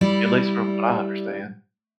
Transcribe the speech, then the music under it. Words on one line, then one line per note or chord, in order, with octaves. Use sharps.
at least from what I understand.
G3 E4 D5